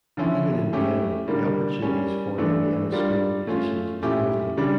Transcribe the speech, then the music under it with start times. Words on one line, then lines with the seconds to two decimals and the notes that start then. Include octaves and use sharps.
Even in Vienna, the opportunities for the Vienna School of musicians was dwindling.
0.17 D3 F3 C#4 E4
0.73 A3 C#4 E4 G4
1.28 D3 G3 A#3
1.82 G3 A#3 C#4
2.38 E3 A3 D4 A4
2.92 G3 D4 F4 A#4
3.47 A3 C#4 F4
4.02 A#2 A3 C#4 E4 G4
4.57 C#3 G3 D4